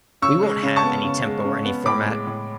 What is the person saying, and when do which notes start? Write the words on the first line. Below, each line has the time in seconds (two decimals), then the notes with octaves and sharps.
We won't have any tempo or any format.
0.22 C#3 C#6 E6
0.43 G#3
0.63 C#3
0.76 A5 C#6
0.83 B3
1.04 C#3
1.24 G#3
1.45 C#3
1.65 B3
1.85 A2 B5 D6
2.06 G#3
2.27 A2